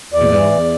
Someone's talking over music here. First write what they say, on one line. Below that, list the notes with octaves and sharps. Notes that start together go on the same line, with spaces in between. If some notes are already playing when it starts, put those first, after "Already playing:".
you know,
E2 D5
E3
E2